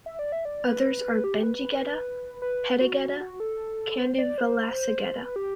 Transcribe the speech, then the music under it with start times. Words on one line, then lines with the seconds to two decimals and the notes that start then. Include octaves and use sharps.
Others are Benjigedda, Peddagedda, Kandivalasa gedda.
0.06 E5
0.19 D5
0.32 E5
0.45 D5
0.65 B4
1.24 G4
1.43 B4
2.42 B4
2.81 F#4
3.21 F#4
3.40 A4
3.98 C5
4.18 D5
4.38 C5
5.17 B4
5.36 G4